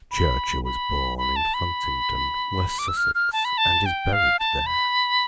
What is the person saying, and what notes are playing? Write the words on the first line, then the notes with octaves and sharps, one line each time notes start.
Churcher was born in Funtington, West Sussex and is buried there.
B5
B5
B5
A5
B5
D6
E6
F6
F6
A5
B5
A5
G5
F5
A5
B5